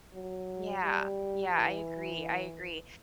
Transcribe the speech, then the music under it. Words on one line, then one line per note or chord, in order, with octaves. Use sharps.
Yeah, yeah. I agree, I agree.
F#3
G3
E3